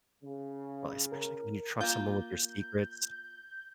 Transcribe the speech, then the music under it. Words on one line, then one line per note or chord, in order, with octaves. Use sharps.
well, especially when you trust someone with your secrets.
C#3
A#4
A#3 F4 G6